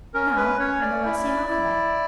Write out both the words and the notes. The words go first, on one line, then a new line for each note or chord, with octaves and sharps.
Now, I know that same alphabet.
C#4 A#4
B4
C#4 C#5
D5
E4
E4